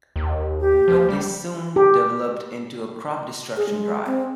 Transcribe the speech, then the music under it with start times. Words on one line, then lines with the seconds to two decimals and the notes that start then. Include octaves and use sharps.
But this soon developed into a crop destruction drive.
0.16 D#2
0.60 G4
0.88 F3
1.09 G3
1.76 G4
3.57 G#4
3.69 G#3
4.06 C4